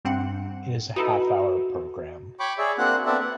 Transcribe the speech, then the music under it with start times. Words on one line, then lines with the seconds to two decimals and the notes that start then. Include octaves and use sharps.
It is a half-hour program.
0.05 G2 C4 F#5
0.96 D#4 E4 F#4 A4 B4
2.40 C#5 G5 B5 C#6 D6
2.58 G#4 C#5 D5 E5
2.78 A#3 C4 D4 F#4 F#5 F#6
3.06 B3 C4 A4 D5 E5 F#5
3.20 F#5